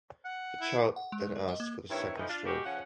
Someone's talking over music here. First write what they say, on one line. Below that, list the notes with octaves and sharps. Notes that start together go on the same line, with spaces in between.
The child then asks for the second strophe.
F#5
E4
F#5
G#3
A#4
D#5
A#3
G2 D#3 B3 C4 E4 C#5
A2 E3 F3 A3 D#4
D4 F4
G3 G#3 F#4 G4
C#3 F3 C#4 F#5